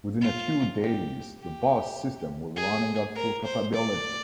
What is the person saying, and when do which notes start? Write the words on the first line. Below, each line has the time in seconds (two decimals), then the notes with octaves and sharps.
Within a few days, the bus system was running at full capability.
0.21 F4
0.80 G4
1.39 G4
2.57 G#4
3.15 A#4
3.44 C5
3.74 D5